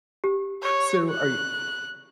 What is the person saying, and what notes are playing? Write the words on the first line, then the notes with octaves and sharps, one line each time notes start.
So, are y
G4
C#5
F#6